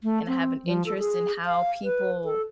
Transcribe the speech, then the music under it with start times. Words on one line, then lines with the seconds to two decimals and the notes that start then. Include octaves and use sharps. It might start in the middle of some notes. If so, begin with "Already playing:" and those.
and I have an interest in how people
0.03 A3
0.27 C4
0.65 F3
0.86 A4
0.99 G#4
1.46 F5
1.84 B4
2.24 A4